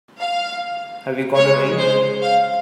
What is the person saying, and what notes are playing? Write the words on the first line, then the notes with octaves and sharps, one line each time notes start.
Have you got a ring?
F5
C#3 G#3 C#5
C5
F5